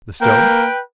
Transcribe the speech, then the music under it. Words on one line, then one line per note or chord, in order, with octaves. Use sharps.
The stone?
A#3 B4 G5